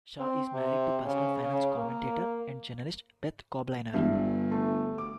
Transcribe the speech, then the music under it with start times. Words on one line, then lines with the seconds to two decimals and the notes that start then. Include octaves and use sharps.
Shaw is married to personal finance commentator and journalist Beth Kobliner.
0.20 C4
0.54 C3
1.05 C#3
1.43 C#3
1.76 A#3
3.94 E1 G2 E5
4.12 G1
4.51 A3
4.98 D6